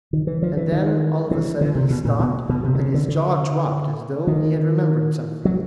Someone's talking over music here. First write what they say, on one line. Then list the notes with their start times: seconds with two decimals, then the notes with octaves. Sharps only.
And then, all of a sudden, he stopped, and his jaw dropped as though he had remembered something.
0.13 D#3
0.27 E3
0.42 F3
0.57 E3
0.72 D#3
1.31 E3
1.61 D3
1.75 C3
1.90 B2
2.05 A#2
2.20 B2
2.49 B2
2.64 C3
2.75 D3
2.79 C#3
2.94 D3
3.08 D3
4.27 D#3
5.45 F#3